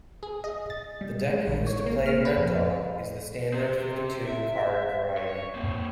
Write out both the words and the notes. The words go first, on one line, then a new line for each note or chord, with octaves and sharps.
The deck used to play red dog is the standard, fifty-two-card variety.
G#4
D#5
A6
G3
G#3
A1
C#5
A#3
F6
B4
F2
C4 G4
E5
C#5
A#3 C4